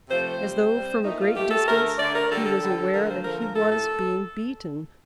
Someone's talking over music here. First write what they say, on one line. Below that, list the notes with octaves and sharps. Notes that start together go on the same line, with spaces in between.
As though from a great distance, he was aware that he was being beaten.
C3 F3 A3 C5
C5
C3 G3
C3
G3
A#2 A3 D#4
F4
A#2 A3 G4
A4
D3 A3 A#4
D3 A3 D5
A#4
D3 G3 A4
A4
D3 G3
D3 F3 A3 A#4
C5
D3 F3 A3 A#4
A#4
A2 A3 A4
A4